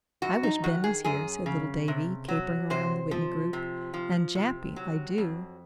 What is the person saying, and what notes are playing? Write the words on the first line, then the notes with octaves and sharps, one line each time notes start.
"I wish Ben was here," said little Davie, capering around the Whitney group, "an' Jappy, I do!"
F#2 F#4
D#4
D#3 F#4
G#4
F#2 G#4
C#3
C3
F#3
C3 C5
F3
C3
F3
C3
F#3
F2